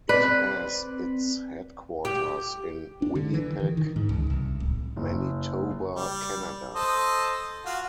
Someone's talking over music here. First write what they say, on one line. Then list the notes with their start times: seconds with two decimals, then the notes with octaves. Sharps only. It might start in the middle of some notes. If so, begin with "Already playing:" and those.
It has its headquarters in Winnipeg, Manitoba, Canada.
0.09 C4 B4 D5 B5
2.05 G4
3.02 D4
3.15 D3
3.34 E3
3.60 D#3
3.77 D#3
3.96 G#2
4.09 C#2
4.30 C2
4.60 D1
4.96 F#1
5.96 G3
6.75 A4 C5 D#5
7.65 F4 F#4